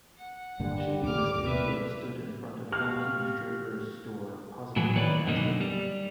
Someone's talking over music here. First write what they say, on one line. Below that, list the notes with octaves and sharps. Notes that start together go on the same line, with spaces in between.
She and Miss Dimsdale stood in front of one huge draper's store positively gasping.
F#5
G2 D3 G3 A#3
D#2 D6 F6
C3 B4 E5
F#4 G4 F5 F6
A2 E3 F#3 G#4
D#3 A#3 B4 C#5 D5
F#2 B2 D3 A#3 D#4
G3